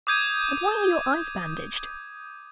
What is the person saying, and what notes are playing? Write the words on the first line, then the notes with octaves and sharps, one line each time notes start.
'And why are your eyes bandaged?
D6 D#6 G6 G#6 D#7